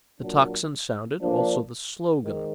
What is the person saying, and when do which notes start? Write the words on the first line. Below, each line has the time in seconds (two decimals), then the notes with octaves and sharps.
The tocsin sounded, also the slogan.
0.19 A#2 F#3 D4
1.22 F3 A#3 D4
2.23 G#2 D#3